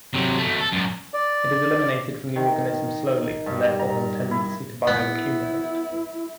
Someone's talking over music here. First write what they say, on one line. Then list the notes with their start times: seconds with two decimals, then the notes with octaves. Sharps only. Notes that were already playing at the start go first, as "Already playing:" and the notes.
It is eliminated from the organism slowly, and therefore has a tendency to bioaccumulate.
0.14 C3 F#3
0.38 B2 A3
0.60 A4
0.72 F#2 A#2
1.14 D5
2.36 D#3
3.46 G2
3.79 A#5
4.31 E4
4.87 B3 E4